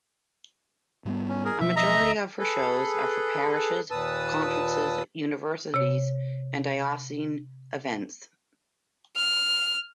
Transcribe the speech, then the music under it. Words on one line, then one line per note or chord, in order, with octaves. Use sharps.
A majority of her shows are for Parishes, Conferences, Universities and Diocesan Events.
G#2 G3 B3
C#4
G#4 A#4
B2 F3 F#3 E5
D#5 E5 A#5
D2
G#4 A4 B4
D#2 A#2 B4 A5 D#6 E6
C3 C#5
F6